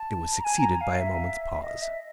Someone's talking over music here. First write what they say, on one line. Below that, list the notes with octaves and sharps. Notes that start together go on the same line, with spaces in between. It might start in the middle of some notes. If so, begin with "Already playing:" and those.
It was succeeded by a moment's pause.
Already playing: A5
A#5
G#5
A#5
F5
E5
D#5
E5